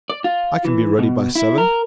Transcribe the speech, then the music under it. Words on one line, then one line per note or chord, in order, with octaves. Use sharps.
I can be ready by seven.
D5
F4
E3
B2
E4
A#4